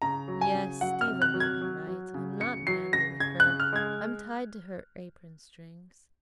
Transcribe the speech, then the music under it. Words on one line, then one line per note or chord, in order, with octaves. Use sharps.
Yes, Stiva may be right, I'm not manly with her, I'm tied to her apron-strings....
C#3 A#5
F#3
G#5
C#3
F#3 F#5
F6
C3
F#6
F#3
G#6
F#3
F#3
C#3
C#3 C#7
F#3 C7
C#3 A#6
C#3 G#6
F#6
C#3
F6
G#3 G#6